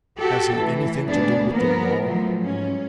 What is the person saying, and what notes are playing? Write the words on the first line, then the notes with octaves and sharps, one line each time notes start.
Has he anything to do with the law?'
F#4 G4 A4
A2 E3
D2 G#2 B3 D4 G#4
F3 A#3 B3 A#4
A2 F3 F#3
G#2 C#4